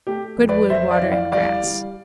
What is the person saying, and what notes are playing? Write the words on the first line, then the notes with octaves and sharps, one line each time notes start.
Good wood, water, and grass.
A3 G4
F2
B4 D5
F2 C5 E5
D5 F5
E3
D5 F5
G3 D5 F5
G3